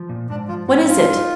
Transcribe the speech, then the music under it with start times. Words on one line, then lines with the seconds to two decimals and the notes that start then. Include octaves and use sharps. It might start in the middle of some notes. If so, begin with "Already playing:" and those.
'What is it?
Already playing: F3
0.09 A#2
0.30 G#2 D4
0.48 F3 F4
0.68 G#2 F#4
0.88 D#4 F4
1.07 D#4